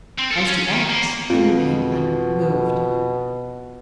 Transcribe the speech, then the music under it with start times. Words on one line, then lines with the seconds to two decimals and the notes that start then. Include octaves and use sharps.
As to Athos, he remained unmoved.
0.19 C4
0.31 A4 A#4
0.48 C#4
0.69 D#3
0.89 A#3
1.30 F2 B2 F4